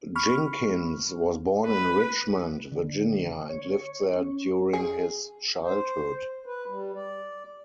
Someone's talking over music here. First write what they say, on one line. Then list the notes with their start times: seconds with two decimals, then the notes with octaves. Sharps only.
Jinkins was born in Richmond, Virginia, and lived there during his childhood.
0.16 B5 C#6 F6
1.66 B4
2.72 D3
3.49 C#5
4.13 C#4
4.73 G#4
5.64 C5
6.46 B4
6.67 G3
6.94 D5